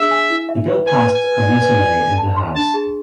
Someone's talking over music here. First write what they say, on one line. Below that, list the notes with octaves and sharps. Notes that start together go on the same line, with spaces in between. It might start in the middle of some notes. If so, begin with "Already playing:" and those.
The bill passed convincingly in the House.
Already playing: D4 G#4 E5
G#5
E4
E5
B4
B4 G#5
B4
G#5
B4
D5
B4
D5
A4
A5
C6
D4 A5
G#4